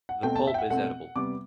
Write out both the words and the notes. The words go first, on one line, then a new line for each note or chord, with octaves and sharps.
The pulp is edible.
F#5
B2 A3 C4 G5
A5
E5
G5
F#5
B2 A3 C4 F#5
C3 G3 B3 D6